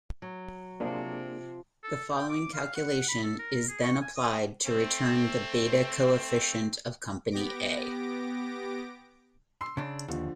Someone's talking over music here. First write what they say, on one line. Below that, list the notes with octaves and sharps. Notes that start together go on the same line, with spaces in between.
The following calculation is then applied to return the beta coefficient of company A.
F#3
C3 F3 A#3 D4 G#4
A4
G5
D6
F5
F#5
B5
A4
A#4
G#4
C#6
G#5
D#6
A3 C4
B3 G4 D6 A#6 D7
C6 E6 C7
C#3 D4
D#2 D3 F3